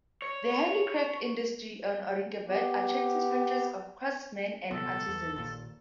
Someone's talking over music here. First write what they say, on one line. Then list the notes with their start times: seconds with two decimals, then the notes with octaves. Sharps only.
The handicraft industry in Aurangabad attracted hundreds of craftsman and artisans.
0.22 C#5
2.48 B3 G4
4.71 D#1 C2 B3 A4
5.08 E2
5.36 A#1 D#2 A#2